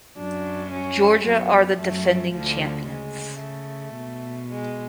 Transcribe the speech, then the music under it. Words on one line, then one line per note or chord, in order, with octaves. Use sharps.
Georgia are the defending champions.
F#2 F#3 D4
C#4
F#2 F#3 B3
F#2 F#3 A3
D2 D3 F3
C#3 G#3
A3
B2
G#3